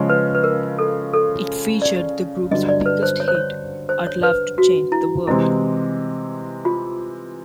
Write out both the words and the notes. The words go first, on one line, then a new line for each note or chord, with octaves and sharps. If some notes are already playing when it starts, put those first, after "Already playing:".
It featured the group's biggest hit, "I'd Love to Change the World".
Already playing: C#3 F3 G#3 C#4
B4
B4
A#4
A4
A4
D5
G2 D3 F#3 D#5
D5
B4
C5
C#5
C5
C#5
C5
C#5
B4
F#4
E4
C3 E3 G#3 C4 E4
F4